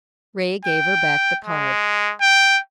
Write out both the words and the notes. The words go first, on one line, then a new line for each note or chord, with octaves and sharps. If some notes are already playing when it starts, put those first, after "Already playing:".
Ray gave her back the card.
G5
G#3
G5